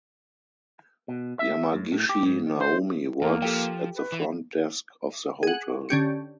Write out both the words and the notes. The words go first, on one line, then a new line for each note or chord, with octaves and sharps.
Yamagishi Naomi works at the front desk of the hotel.
B2
E5
F#2
A2
G4
G#2
D#3
C5
E2 A#3 A4
F3 G4 A4 G5
B4
E3
G#4 F#5
D3 C#4 G4 C#7